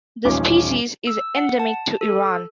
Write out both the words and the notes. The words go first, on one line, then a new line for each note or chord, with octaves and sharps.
The species is endemic to Iran.
D#1 A1 A#2 C#4 D#4 D6
E6
F#5
A5
A4